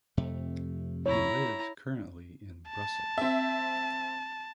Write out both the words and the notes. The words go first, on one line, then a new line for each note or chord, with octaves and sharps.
He lives currently in Brussels.
F2 C3 A3
E4 C#5 A#5
A5
C4 E5